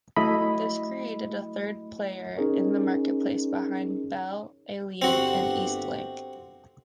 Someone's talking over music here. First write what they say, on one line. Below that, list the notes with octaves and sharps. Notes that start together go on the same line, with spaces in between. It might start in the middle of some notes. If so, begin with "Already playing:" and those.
This created a third player in the marketplace behind Bell Aliant and Eastlink.
F#3 A3 E4 D#5 B5
C#4 D#4 G#4 A#4 C#5
G1 C4 F#4 G4